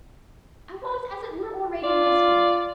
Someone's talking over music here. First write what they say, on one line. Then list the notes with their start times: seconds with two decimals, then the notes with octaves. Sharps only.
I was, as it were, orating my speech.
1.83 F4 D5